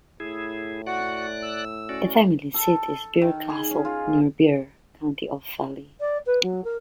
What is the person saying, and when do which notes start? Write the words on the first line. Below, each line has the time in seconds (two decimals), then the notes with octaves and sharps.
The family seat is Birr Castle, near Birr, County Offaly.
0.20 A2 E4 G#4
0.86 F#4 D5 F#5 F#6
1.43 E6
1.89 C#4 F#4 D5
2.54 A4
3.22 D#3
3.50 G#4
3.71 C#4
3.85 F4
6.00 D5
6.26 B4
6.43 F#3
6.64 A#4